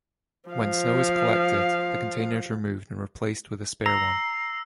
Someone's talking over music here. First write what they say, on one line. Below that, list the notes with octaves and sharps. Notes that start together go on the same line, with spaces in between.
When snow is collected, the container is removed and replaced with a spare one.
F3 F5
A#5 E6 C7